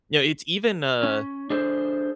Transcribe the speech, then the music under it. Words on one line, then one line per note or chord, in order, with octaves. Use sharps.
you know, it's even, uh
C#4
D4 G#4 A4 C5